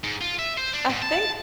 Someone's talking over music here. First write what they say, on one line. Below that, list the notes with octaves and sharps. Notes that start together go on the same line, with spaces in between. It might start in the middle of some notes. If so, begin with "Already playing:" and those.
I think
G#2
F4
E5
C5
D4
G#2
A5